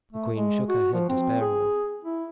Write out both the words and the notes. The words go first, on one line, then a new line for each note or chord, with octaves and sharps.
The queen shook her head despairingly.
A3
G#3
F#4
F3
C4
G#4
E4